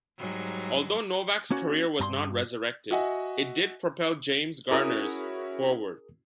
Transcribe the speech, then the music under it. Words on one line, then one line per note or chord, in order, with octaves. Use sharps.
Although Novak's career was not resurrected, it did propel James Garner's forward.
G#2 F#3 G3
A#3 C#4 F#4
G2 A#5 C6
F#4 D#5 E5 F#5 G#5
C#4 E4 F#4 G#4 A#4 D#6